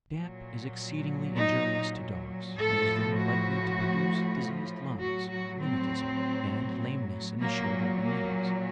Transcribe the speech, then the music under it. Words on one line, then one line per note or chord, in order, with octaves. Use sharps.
Damp is exceedingly injurious to dogs, and is very likely to produce diseased lungs, rheumatism, and lameness in the shoulder and limbs.
A#2 F#3
D#4
A2 F3 A4
F#4
A2 F#3 F#4
F#4
C4
A#2 F#3 A#3
A#3